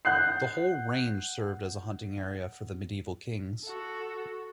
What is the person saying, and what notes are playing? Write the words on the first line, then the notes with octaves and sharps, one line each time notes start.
The whole range served as the hunting area for the medieval kings.
F#5 F#6 G6 C7
F#4 A4